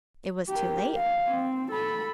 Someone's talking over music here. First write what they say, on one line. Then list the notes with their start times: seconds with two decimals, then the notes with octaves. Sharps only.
"It was too late?"
0.49 G4 A#4
0.96 F5
1.27 C4
1.71 A4 B5